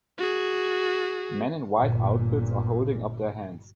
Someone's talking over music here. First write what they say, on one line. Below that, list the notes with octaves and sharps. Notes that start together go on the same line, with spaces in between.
Men in white outfits are holding up their hands.
F#4 G#4
G1 A#2